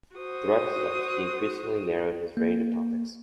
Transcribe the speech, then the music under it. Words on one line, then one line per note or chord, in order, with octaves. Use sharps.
Throughout his life, he increasingly narrowed his range of topics.
F#4 C5 D#6
A#3